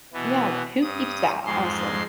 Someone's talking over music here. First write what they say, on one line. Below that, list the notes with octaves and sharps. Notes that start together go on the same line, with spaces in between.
Yeah, who keeps that, ho honestly?
B2 E3 B3
G2 D#6
F2 G#2 G#3 C6